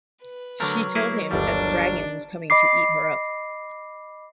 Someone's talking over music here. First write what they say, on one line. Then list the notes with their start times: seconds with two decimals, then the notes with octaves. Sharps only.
She told him that the dragon was coming to eat her up.
0.23 B4
0.60 D3 F#3 A3 A#4
0.95 A#3 E4 G#4
1.31 G1 D#2 G3 D4
2.50 D#5 B5 D6 C7